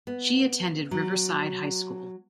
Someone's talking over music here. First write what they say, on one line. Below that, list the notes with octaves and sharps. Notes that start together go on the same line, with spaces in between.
She attended Riverside High School.
B3
F#3